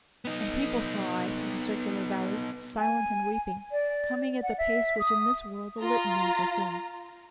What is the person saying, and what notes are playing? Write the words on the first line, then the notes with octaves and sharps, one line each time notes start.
And people saw I through the circular valley, Silent and weeping, coming at the pace Which in this world the Litanies assume.
B3 D#4
G#5
D5
F#5
E5
D#6
F4 A#5